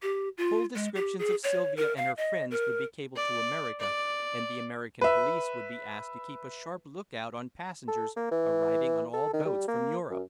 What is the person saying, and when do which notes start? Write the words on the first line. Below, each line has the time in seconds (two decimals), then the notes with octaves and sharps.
Full descriptions of Sylvia and her friends would be cabled to America, and the American police would be asked to keep a sharp look-out on passengers arriving on all boats from Europe.
0.02 G4
0.38 F4
0.75 G#3
0.95 G4
1.19 G#4
1.44 C#5
1.77 A#4
1.97 F5
2.18 D#5
2.51 A#4
3.16 D5
3.80 D5
5.01 B4 E5
7.88 A4
8.16 A#3
8.31 E3
9.13 A4
9.33 D#3
9.45 G3
9.68 A#3
10.10 F#2